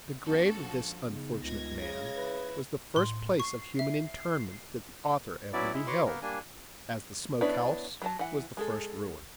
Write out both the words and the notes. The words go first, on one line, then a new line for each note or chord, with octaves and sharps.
The grave of this unfortunate man was the first place of human interment that the author ever beheld, as the smoke-house was the first ruin!
F#2 B3 D4 F#4 A4
F3
C#3 B3 D#4
C#2 G#6 A#6
C#3 G#3 F4
E4 B4
A2 C6
C#6 C7
E5
F#3 B3 C#4 E4 D5
G#3 E4
F#4 B4 C#5 F#5 C6 D6
A#3 B3 A#4
G3 A#3 D4 G#5
B3 C#4 D4 E4 B4
F#3 A4 A5
E3 F#5
G#3 G#4 A4